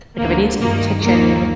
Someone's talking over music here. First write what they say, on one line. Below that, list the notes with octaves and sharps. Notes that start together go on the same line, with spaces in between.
Like, if it needs new kitchen
D2 D3 A#3
G2 D#3 A#3
D#2 D#3 A#3